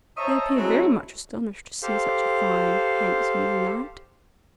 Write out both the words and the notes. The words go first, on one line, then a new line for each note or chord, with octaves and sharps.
They appeared very much astonished to see such a fine, handsome young knight.
C5 C#5 D#5 E5 A5 A#5
F#3 G#3 A3 C4 C#4 E4
G4 A4 C5 F5